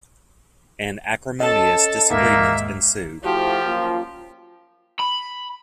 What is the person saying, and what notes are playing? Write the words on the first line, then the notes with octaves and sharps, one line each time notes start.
An acrimonious disagreement ensued.
C#4 A4 D#5 A5
D#2 G#2 A#3 E5
F3 A3 E4 F#4 G4
F#2 A#3 F4
B5